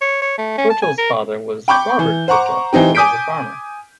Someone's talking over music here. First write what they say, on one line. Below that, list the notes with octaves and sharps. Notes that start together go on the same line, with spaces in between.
Twitchell's father was Robert Twitchell who was a farmer.
C#5
C#5
A3
C#4
A5
G#5
A#4
G5 B5 C#6 D6 G6
E3
C5 F#5 A#5 C#6 D6
E3 C4 D#4 G4
G#5 D6 D#6 G6 B6 D7